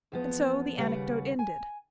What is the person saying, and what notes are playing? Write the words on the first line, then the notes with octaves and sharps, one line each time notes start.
And so the anecdote ended.
E2 F3 B3
D#2 C#3 G3 B4 F#5
G#5